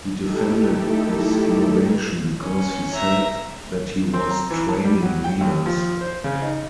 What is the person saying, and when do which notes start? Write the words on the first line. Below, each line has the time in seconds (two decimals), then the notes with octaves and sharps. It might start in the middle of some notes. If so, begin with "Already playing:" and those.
He defended this innovation because he said that he was training leaders.
0.20 A3 D#4 E4 G4 A4
2.40 C#4
2.94 E5 A#5
4.14 C4
4.31 A#5
4.51 E3
4.69 A5
4.84 G3
5.02 F#3
5.24 G5
5.41 D#2
5.66 F3
6.01 C5
6.24 C#3
6.42 D#4